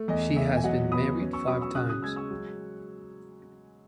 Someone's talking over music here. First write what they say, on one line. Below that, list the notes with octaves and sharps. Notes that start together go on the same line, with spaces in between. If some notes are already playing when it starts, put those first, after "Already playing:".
She has been married five times.
Already playing: A3
E2 D#5
E2 E5
G#5
F#3 D#5 F#5
B3 B5 D#6
C#4
C#6 E6
F#3 B5 D#6
C#6 E6
C#3 D#6 F#6
D#6 F#6
G#3 E6 G#6
C#6 E6
F#3